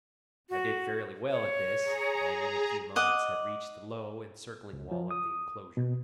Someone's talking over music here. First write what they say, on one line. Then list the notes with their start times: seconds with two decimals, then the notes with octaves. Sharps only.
I did fairly well at this and in a few moments had reached the low, encircling wall of the enclosure.
0.50 F#4
1.31 C#5
1.82 G#4 A#5
2.96 D#5 F#5 D6
4.73 C#2
4.91 F3
5.11 D#6
5.77 B2